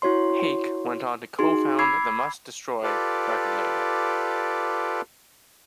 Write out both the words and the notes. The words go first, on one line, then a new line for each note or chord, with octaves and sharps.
Hake went on to co-found the Must Destroy record label.
E4 F#4 C#5 C6
D#4 F#4 G#4 C6
B5 D6 E6 G#6 C7
F4 G4 A4 B4 D5